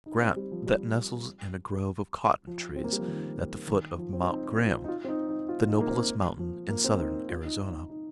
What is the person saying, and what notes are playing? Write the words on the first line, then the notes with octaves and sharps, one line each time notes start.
Grant, that nestles in a grove of cotton trees at the foot of Mt. Graham, the noblest mountain in southern Arizona.
D#4
C4
G3
F3
G3
F3
C4
A#3
G3
F3
D#3
D#3
F3
C4
C4
D#4
F4
D#4
F4
C4
D#4
D#4
F4
D#4
A#3
C4
F3
A#3
C4
D#4
D#4
F4
D#4
D#4
D#4